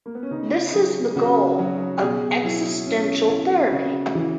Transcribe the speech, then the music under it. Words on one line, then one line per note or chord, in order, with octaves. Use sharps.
This is the goal of existential therapy.
A#3
B3
C#4
C#3 D#4
F#3 G#4
C#3 F#4
F#3
B2 G#4
F#3 E4
B2 C#4
F#3 E4
C#3 F#4
E3